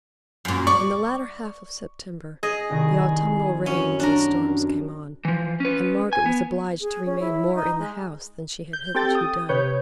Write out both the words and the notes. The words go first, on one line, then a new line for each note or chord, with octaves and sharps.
In the latter half of September, the autumnal rains and storms came on, and Margaret was obliged to remain more in the house than she had hitherto done.
F#2 A#2
D5 C#6
G#4 D#5 C7
C2 D#3 A#6
F#2 C#4
D4 A#4
E3 F3
C#4 B4
G#5
B3
G#4
C#4
E4
D#4
G#3
G6
C4 G4 A4 G5 G6 A6
D#6
C3 B4 C#5 G6